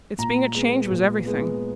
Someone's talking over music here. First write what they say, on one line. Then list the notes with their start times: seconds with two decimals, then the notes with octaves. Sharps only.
Its being a change was everything.
0.18 A#2 A#5
0.55 G#3 B3
0.91 A#2
1.26 G#3 B3